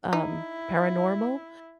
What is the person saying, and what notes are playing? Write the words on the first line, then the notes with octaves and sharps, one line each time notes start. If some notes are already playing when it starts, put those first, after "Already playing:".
um, paranormal,
D#4 E4